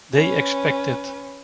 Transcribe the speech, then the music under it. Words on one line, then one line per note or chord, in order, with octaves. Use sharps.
They expect it.
C#4 B4